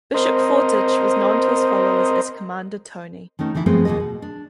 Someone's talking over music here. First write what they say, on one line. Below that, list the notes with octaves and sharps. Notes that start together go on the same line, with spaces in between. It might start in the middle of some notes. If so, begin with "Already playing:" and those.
Bishop Fortich was known to his followers as "Commander Tony".
C4 A#4 C5 D#5
D#3 A3 C#4 D#4
D3 E3 D#4 E4
G2 F3 G#3 A3 B3 C4
D#2 A#2 F3 G#4 D#5
B2
D4